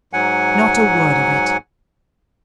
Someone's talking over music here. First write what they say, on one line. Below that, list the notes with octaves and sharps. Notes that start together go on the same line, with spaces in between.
'Not a word of it.
G#2 F#3 F#5 G#5